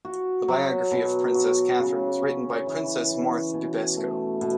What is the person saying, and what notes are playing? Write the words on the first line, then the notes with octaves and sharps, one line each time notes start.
A biography of Princess Catherine was written by Princess Marthe Bibesco.
F#4
F#3
B2
F#4
C#3
C#4
E3
E3
B2
A3
B2